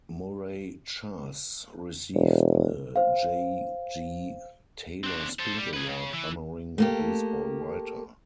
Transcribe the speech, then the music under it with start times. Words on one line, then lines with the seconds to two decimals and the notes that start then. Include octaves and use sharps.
Murray Chass received the J. G. Taylor Spink Award honoring a baseball writer.
2.15 E1
2.96 C5 F5
5.04 C4 D4
5.40 A4 C5
5.58 G3
5.74 G#4 B4
5.89 C#3
6.14 E3
6.78 A3 A#3 G4